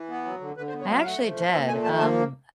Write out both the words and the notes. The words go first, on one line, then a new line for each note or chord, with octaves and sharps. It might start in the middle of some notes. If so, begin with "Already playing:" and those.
I actually did, um,
Already playing: E3
B3
F#3
D3
D3 B4
C5
B3
C#5
F#3 F5
F5
A3 F#5
F3
A#2
A#2 E5
A3 G#5
F3 A5
A#3 A5